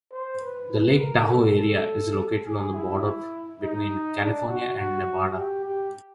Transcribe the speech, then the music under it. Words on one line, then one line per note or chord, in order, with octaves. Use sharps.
The Lake Tahoe area is located on the border between California and Nevada.
C5
B4
B4
A#4
A4
A4
G#4
E4
D#4
D4
F#4
F#4
G4
G4